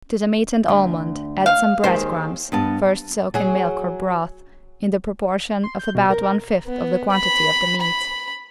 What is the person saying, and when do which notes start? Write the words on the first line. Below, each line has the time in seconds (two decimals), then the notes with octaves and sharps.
To the meat and almond add some bread crumbs, first soaked in milk or broth, in the proportion of about one fifth of the quantity of the meat.
0.68 D2
1.46 F5
1.84 D#2 G#3 C5 G5
2.52 G2 B3 A5
3.34 F#3 G#4
5.64 C6
5.79 G6
5.95 B2
6.10 A#4
6.23 A#4
6.66 B3
7.12 B5
7.81 B5